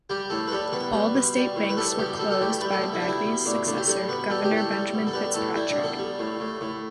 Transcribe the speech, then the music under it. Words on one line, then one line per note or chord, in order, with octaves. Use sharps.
All the state banks were closed by Bagby's successor, Governor Benjamin Fitzpatrick.
G3 G4
A2 A4
B4
G3 A4
B2 B4
G3
B2
G3
A2
B4
G3 A4
B2 G4
G3 A4
A4
A2 G4
G3 B4
A4
B2
E4
D4
G3 E4
B2
A2 D4
A2 D4
G4
G3 A4
B2 B4
G3 A4
G4
A2
A4
G3
B2
A4
G3 B4
A2 A4
G3 E4
D4
B2
A4
G3
A2
A2
A2